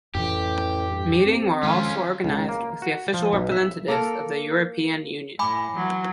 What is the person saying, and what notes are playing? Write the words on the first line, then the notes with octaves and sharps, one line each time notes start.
Meeting were also organized with the official representatives of the European Union.
A1 F2 A2 E3 G4
G2
C4
F2 D#3 G#3 C#4 F4
C#2
A#3
F#4
F3
B1
E5
A#3 A4 A#4
A2 G#5 B5 D6
E3 F#3